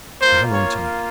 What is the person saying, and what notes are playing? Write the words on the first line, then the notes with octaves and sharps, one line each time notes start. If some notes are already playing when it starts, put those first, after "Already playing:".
I hung on tight.
A#3 F4 C5
C#5